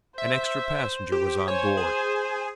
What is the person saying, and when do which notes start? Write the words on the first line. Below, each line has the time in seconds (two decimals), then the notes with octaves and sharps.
An extra passenger was on board.
0.18 C5 E5
1.12 G4
1.48 C5 C#5 G#5
1.77 G#4